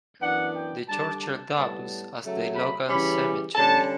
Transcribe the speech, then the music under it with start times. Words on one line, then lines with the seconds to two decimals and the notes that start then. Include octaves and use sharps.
The churchyard doubles as the local cemetery.
0.21 F#2 E3 B3 D4 F#5
0.55 G5
0.89 D3 G3 D4 A5
1.21 A5
1.55 A2 G3 B3
2.22 C#3 F#3 A3
2.55 B5
2.89 C#3 E3 G3 C#4 B5
3.55 D3 G3 C#4 A5